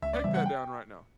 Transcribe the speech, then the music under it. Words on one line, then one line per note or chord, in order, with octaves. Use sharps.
Take that down right now.
C#2 E5
D5
C#3 E3 G3 E5
F#5
G5